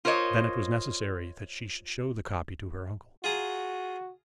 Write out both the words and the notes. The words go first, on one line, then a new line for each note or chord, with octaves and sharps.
Then it was necessary that she should show the copy to her uncle.
F4 A#4 C5 C#5 D#5
F4 F#4 G#4 A#5